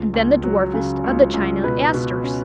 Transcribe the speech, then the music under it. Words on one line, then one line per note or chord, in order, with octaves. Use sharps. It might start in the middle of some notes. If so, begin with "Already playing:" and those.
And then the dwarfest of the China Asters.
Already playing: C#2
C#2
F#3
C#3
C#2
C#2
B2 B4
B2
C#4